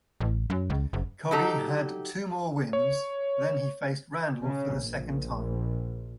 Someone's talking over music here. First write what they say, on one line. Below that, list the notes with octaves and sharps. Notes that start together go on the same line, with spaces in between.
Coggi had two more wins, then he faced Randall for the second time.
A1
F#2
C#2
F#1
F#3 D#4 G4 A4 A#5
C#5
C#3
A#1